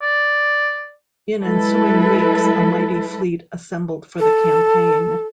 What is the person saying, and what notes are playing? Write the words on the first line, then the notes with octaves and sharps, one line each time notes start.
In ensuing weeks a mighty fleet assembled for the campaign.
D5
F#3 G#3 E4 A4 B4
A4